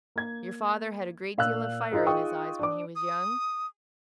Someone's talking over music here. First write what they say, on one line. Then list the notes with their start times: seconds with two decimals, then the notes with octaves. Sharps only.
Your father had a great deal of fire in his eyes when he was young.
0.16 A#3 G#6
1.38 A#2 F5 E6 F#6
1.91 D#4 F4 G#4 A#4
2.06 D#4 F4 G#4 G5 C#6 D#6
2.59 D4 D6
2.96 D#6